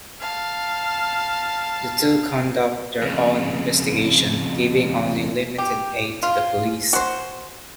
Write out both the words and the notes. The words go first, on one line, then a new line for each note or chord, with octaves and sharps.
The two conduct their own investigation, giving only limited aid to the police.
F5 A5
F2 C#3
G4
F4
F#4 C5